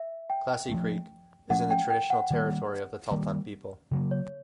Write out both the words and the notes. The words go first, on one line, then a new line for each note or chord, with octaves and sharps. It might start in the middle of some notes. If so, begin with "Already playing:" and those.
Classy Creek is in the traditional territory of the Tahltan people.
Already playing: E5
G5
F3 A3 C#4
F3 A3 C#4 F#5
G5
G5
F#5
D#3 G3 A#3
D#3 G3 A#3
C#3 F#3 A#3
C#5